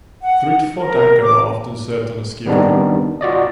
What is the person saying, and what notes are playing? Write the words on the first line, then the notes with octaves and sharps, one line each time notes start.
Three to four "dango" are often served on a skewer.
F#5
A#4
D6
D#3 G3 B3 C4 D4 D#4
F4 F#4 D5 D#5